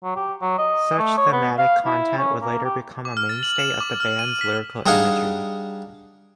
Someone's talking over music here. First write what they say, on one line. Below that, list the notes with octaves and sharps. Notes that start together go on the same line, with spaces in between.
Such thematic content would later become a mainstay of the band's lyrical imagery.
F#3
G4
F#3
D#5
A3
C#5
B3
F5
E4
C#4
A#3
G4
D6
F6
A6
F#7
E7
D6
F6
D#7
B6
G3 D4 D#4 G#4 F5 F#5